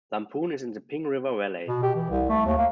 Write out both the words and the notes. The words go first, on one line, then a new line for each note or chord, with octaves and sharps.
Lamphun is in the Ping River valley.
B2
G4
E3
C2
A3
D#2
A#3